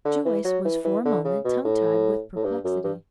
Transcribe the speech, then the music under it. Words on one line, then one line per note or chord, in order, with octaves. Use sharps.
Joyce was, for a moment, tongue-tied with perplexity.
D3
E3
F#3
E3
E3
D3
C#3
B2
A2
A2
G2
F#2
G2